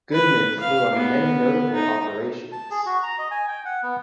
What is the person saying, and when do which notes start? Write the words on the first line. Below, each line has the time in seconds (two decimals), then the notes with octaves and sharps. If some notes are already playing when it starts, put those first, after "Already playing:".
Goodman flew on many notable operations.
0.12 B4
0.60 F5
0.95 B3
1.74 D#4
2.52 A5
2.71 G#4
2.86 F#4
3.03 A#5
3.18 D#5
3.31 G#5
3.48 G5
3.65 F#5
3.83 B3